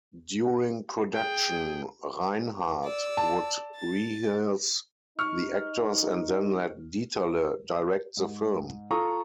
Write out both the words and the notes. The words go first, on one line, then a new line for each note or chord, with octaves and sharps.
During production, Reinhardt would rehearse the actors and then let Dieterle direct the film.
G#4 G5
D5 E6
A5
A6
D#4 C#6 F6
G#2
F4 A4 A5 A#5 C#6 D#6